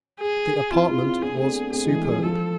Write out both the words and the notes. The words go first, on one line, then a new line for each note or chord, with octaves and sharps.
The apartment was superb.
G#4
C4 E4 F4
E4 G#4
C4 E4
B3 D4 G#4
A3 C4
B3 D4
A3 C4 G#4
E3 G#3
F3
F3 A4